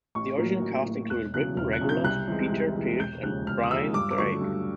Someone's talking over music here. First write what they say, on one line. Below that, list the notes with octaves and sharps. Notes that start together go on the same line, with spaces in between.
The original cast included Britten regulars Peter Pears and Bryan Drake.
A1 C#6
A2 F#3 A#3
A1
A2 F#3 A#3
E1 F#6
E2 C#3 F#3 F#6
E1 F6
F#6
E2 C#3 F#3
G6
C2 F#6
C3 E3 G#3
C2
C3 E3 G#3
E1 G6
D#2 C#3 F3 G#3 F#6
E1 F6
D#6
D#2 C#3 F3 G#3 E6
G2 D6
D6
D3 F#3 A3 C#6
G2